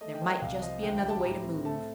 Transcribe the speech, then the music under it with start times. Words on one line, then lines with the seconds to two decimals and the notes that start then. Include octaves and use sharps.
There might just be another way to move.
0.01 A3 D#5
0.14 G5
0.22 F3
0.28 G5
0.42 C2 F5
0.62 F3 D#5
0.83 D2 G5
0.97 G5
1.03 G3
1.09 A5
1.24 A2 A#5
1.44 C4
1.65 A3 A5